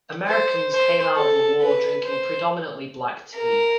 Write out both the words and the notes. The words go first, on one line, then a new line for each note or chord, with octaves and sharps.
Americans came out of the war drinking predominantly black tea.
C5
C5
A4
B4
C5
A#4